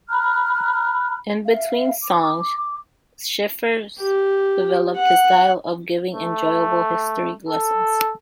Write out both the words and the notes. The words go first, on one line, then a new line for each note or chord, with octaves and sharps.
In between songs Schifter developed his style of giving enjoyable history lessons.
A#5 B5 F6 F#6
E5 F5
D6
G4
F#5
A3
A4